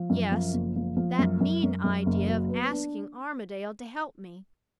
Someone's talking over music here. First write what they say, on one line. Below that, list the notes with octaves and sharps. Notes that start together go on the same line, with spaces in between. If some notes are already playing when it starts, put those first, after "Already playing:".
Yes; that mean idea of asking Armadale to help me!
Already playing: F3
F#2
F3
F#1
F3
F3
F#2
F#2
F#2
F#2
F#1
F#3
B3
D4